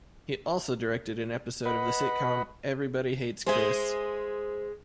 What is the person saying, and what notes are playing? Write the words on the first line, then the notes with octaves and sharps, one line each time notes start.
He also directed an episode of the sitcom "Everybody Hates Chris".
B4 D#5 F#5 B5
G#3 G#4 C5 E5